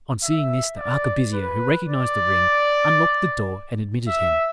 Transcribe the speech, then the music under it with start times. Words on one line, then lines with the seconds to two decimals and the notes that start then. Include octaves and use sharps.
On seeing this, the arquebusier, who recognised the ring, unlocked the door, and admitted him.
0.23 E5
0.78 D5
1.33 B4
1.89 D5
4.08 E5